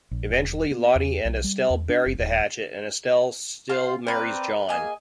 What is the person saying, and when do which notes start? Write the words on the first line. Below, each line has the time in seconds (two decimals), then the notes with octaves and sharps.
Eventually Lotte and Estelle bury the hatchet and Estelle still marries John.
0.11 A#1
0.31 E1
0.71 B3
0.95 E2
1.25 B1
1.44 G3
1.70 E2
1.89 D4
2.06 F#1
2.19 D#1
3.70 F4 C5 C6
4.07 C4 A#4 B4 D5 G5
4.69 A#3 G#4 D#5 G#5